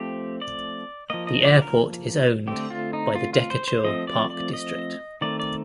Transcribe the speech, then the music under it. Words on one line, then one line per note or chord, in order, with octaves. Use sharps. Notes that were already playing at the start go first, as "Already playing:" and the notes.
The airport is owned by the Decatur Park District.
Already playing: F3 A3 C4 G4
D5
F3 A#3 D#5
D#5
D5
A#4
D3 A3 C4 G4
F4
D#4
F4
F4
C5
C5
F3 A3 C4 D#5
D5
D5
D#5
D#3 A3 C4 D5
D5